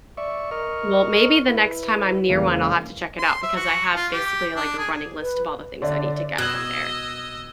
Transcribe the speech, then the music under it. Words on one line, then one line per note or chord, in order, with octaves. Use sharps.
Well, maybe the next time I'm near one, I'll have to check it out, because I have, basically, like, a running list of all the things I need to get from there.
D5 E5 C#6
A#4 D#5 C#6 F6
E4 B4
E2 C#3 E3 G#3 A#3 F5
C6
E5
F#4
F4
G4
D4
G#4
B4
D3 C#5 D5 E5
B2 D#5 E6 F#6 G#6 E7 F#7